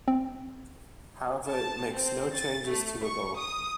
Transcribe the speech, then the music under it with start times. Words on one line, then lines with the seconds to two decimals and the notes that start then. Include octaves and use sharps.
However it makes no changes to the law.
0.08 C4
1.50 A5
1.94 C4
2.34 A6
2.69 A3
3.02 C#6
3.37 D#6